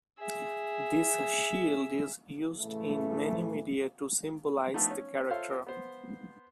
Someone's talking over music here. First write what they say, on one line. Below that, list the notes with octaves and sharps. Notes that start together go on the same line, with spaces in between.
This shield is used in many media to symbolize the character.
G#4 E5
A2 C#3 E3 A3
F3 A3 B3 D4 D#4
C#4
F4 A4 C5 C#5 E5 F5
B3 C5